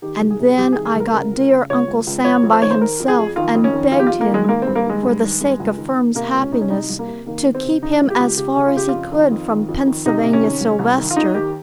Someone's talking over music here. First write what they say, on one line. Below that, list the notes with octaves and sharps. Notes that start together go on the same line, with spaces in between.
And then I got dear Uncle Sam by himself, and begged him, for the sake of Firm's happiness, to keep him as far as he could from Pennsylvania Sylvester.
D#3 G4
C2
G#4
C3
C2 G4
D#3 G#4
G#4
C2 A#4
C#3 A#4
C#2
C#3
C#2 C#5
C#2
C#2
F2 C#5
F2
C5
D#3 C#5
C5
D#3 A#4
F2
G#4
F2
D#3 F4
F2
C#4
D#3
F2 F4
G4
F2 F4
A#3
D#3 G#3
G#3
D#3 A#3
C4
G2
A#3
D#3 G#3
G2
D#3
G2
C#2
D#3
D#3
C3 A#3
C#2
C#4
C3 D#4
C#4
C2 D#4
C2
A#3
C3
D#3 A#3
D#3
C4
C3
C#3 D#4
C#2
G4
C#2
C#3 G4
C#3
F4
C#3 G4
F4
F2
D#3
F2
D#3
F2
D#3
C3 D#4
C3
C#4
D#3
C2
C2
D#3
F4
D#2 D#4
D#3 G4